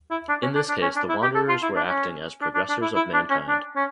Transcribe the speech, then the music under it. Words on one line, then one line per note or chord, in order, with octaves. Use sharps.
In this case, the Wanderers were acting as progressors of mankind.
E4
D4
C#4
D4
D4
C#4
D4
E4
G4
A4
F4
E4
D4
C#4
D4
D4
D4
E4
E4
D4
C#4
D4
C#4